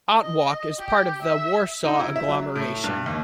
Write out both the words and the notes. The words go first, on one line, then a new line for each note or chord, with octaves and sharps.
Otwock is a part of the Warsaw Agglomeration.
D#5
G4
E5
D#4
E4
E5
F#3
A2
G2
D#2